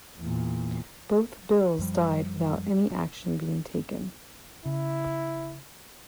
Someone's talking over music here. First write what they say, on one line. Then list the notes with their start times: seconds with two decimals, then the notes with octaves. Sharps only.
Both bills died without any action being taken.
0.19 E2 A#2
1.79 F#2 F3 G3
4.66 C#3 E4